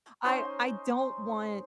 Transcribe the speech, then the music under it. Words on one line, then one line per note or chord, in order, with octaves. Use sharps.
I I don't want
C#4 D#4 C5 C6